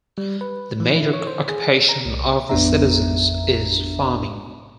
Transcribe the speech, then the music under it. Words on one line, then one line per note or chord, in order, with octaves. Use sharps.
The major occupation of the citizens is farming.
G3
B4
E3
E4
C#5
C5
G#4
A#5
C2
A1 F2 B3 D4 E5 A#5